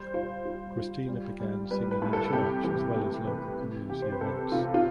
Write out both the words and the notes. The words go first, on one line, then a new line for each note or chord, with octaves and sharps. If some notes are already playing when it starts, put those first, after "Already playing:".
Cristina began singing in church as well as local community events.
Already playing: G3 C5
F4 C5
F4
F4
G3
G3
G3 B4
B4
A2
A4
C3 G4
E3 G4
A3 G4
E3 B4
C3
C3 G4
C5
B4
C3 A4
C3 F4
F4